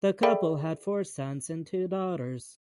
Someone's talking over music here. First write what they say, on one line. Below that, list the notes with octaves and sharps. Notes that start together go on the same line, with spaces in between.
The couple had four sons and two daughters.
G#4 A4 D5 E5 G5 B5